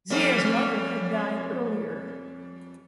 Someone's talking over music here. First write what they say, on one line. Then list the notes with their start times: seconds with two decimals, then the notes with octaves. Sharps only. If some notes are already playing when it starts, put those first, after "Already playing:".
Zia's mother had died earlier.
0.10 F2 G3 C#4